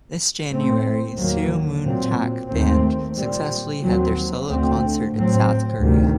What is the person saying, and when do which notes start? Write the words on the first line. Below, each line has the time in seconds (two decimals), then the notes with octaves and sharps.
This January, Seo Moon Tak Band successfully had their solo concert in South Korea.
0.51 A2 A3 C4
1.17 D#2 D#3 F#3 A#3
1.83 A#2 F#3 C4
2.49 D#2 D#3 A3 C4
3.16 A#2 G3 C4
3.82 D#2 D#3 F#3 C4
4.48 D2 D3 A3 C4
5.14 A2 F#3 C4
5.80 D2 C3 D#3 G3